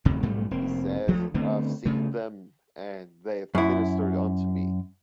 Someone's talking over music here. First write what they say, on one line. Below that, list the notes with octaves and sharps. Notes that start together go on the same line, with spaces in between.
He says I have seen them, and they have ministered unto me.
F1 D2 C3 D#3
B1 G#2 G3 A3
F1 A#3 C4
D2 F3 A3
D3 A3 B3 C4
C#3 A3
F#2 E4